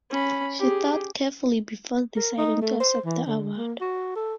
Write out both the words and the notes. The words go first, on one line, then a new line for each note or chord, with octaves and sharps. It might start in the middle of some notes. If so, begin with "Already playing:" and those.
She thought carefully before deciding to accept the award.
C#4 B5
G4 G#4
A#4
D#4
A3
C5
E3
D3
A#3
F#4
A4